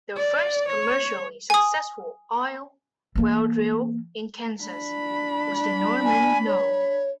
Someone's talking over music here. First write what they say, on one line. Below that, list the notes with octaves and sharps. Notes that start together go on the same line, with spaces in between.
The first commercially successful oil well drilled in Kansas was the Norman No.
D5
C#5
G#5 D#6
E3 A#3
D4 B5
G#5
C#5